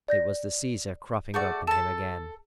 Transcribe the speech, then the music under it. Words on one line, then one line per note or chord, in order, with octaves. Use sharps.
It was the Caesar cropping up in him again.
D5 G6 A#6
A3 F#4 G#4 D5 F#5
A4 A5 E7